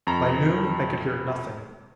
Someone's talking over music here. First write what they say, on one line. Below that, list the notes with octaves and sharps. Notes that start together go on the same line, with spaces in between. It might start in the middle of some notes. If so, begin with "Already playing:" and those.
By noon I could hear nothing.
F2 A#5